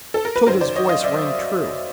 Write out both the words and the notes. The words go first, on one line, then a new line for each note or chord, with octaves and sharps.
Tode's voice rang true.
A4
A#4
B4
F#2 D#3 F#3 A#4 C5
C5 D5
C#5 D#5
D#5 F5
D5 E5